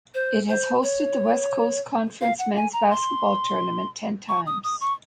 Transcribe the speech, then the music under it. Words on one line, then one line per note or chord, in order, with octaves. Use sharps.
It has hosted the West Coast Conference men's basketball tournament ten times.
C5
C5
C#5
F5
F#5
G#5
A#5
C6
C#6
D#6
D#6
C#6